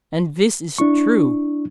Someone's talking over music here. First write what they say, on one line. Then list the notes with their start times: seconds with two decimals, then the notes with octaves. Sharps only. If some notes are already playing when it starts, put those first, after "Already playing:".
And this is true.
0.78 D4 E4 C#6